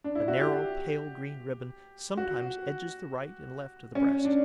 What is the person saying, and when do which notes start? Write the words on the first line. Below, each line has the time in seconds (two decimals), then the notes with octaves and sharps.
A narrow pale-green ribbon sometimes edges the right and left of the breast.
0.04 D4
0.15 E4
0.28 F#4
0.40 G4
2.17 F#4
3.95 C#4
4.25 D4